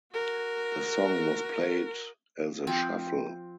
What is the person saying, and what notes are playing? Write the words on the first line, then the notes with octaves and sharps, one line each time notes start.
The song was played as a shuffle.
F#4 A#4
F3 C4